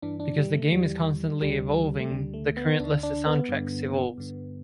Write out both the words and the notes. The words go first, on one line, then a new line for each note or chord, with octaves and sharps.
Because the game is constantly evolving, the current list of soundtracks evolves.
G2 E3 D4
D4
G3
A3
E2 E3 G3
D2 D3 G3
A3
D2 D3 G3
A3
B3
D2 D3 D4
D4
B3
G2 D3
G2 D3